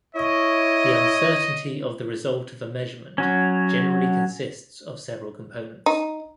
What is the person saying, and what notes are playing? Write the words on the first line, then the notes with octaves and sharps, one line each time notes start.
The uncertainty of the result of a measurement generally consists of several components.
E4 C#5 D#5
F#3 C#4
D#4